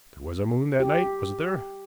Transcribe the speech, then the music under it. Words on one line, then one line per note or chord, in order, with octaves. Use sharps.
"There was a moon that night, wasn't there?"
G4